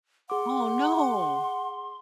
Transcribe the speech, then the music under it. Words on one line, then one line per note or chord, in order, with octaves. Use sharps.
Oh, no!
G#4 F#5 C6 D6